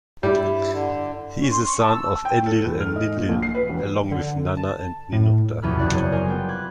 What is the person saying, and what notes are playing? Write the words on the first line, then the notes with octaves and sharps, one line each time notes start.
He is a son of Enlil and Ninlil, along with Nanna and Ninurta.
G2 G3 E4
D3
C#4
C6
C#6
A5
E6
G5
A4
E2
F6
D#5
A#2
A#1
C7
B4
E1
D3
A5
A2
F1 B1 E2 C#4 B5 F6
F#1 C4 E4 D5 F#6
G#4 A#4 C5 C#5
A#4 G#5 C6
G3 B3 F4 G5
B5 C6 D6 F#6 G#6